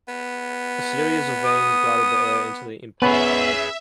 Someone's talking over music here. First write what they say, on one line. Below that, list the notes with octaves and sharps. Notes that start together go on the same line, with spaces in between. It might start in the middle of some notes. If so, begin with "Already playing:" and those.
A series of vanes guided the air into the impeller eyes.
B3
D#6
B3 C#4 G#4 B4 E5 B5